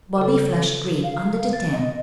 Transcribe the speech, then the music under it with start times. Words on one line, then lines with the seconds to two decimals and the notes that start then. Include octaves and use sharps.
Bobby flushed red under the tan.
0.18 C#3 A4
1.04 F5
1.53 A6
1.72 D#5